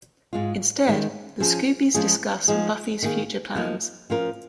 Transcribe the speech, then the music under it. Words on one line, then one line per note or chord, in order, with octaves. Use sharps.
Instead, the Scoobies discuss Buffy's future plans.
G#2 G#3 F4
D#3 G#3 D#4
F3 C#4 G#4
F3 G#3 C#4 F4 G#4
F3 G#3 D#4 G#4
D#3 A#3 D#4 G#4
F3 A#3 D#4 A#4
F3 C#4 F4 A#4